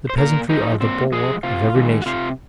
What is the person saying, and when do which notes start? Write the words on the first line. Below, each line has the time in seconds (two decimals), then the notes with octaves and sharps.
The peasantry are the bulwarks of every nation.
0.10 C5
0.18 A#2 A#4
0.49 F3 G#3 D#4
0.80 A#2 C4
1.12 F3 G#3 G#4
1.43 C3 F4
1.75 D#3 G#3
2.02 F#4
2.06 C3 F4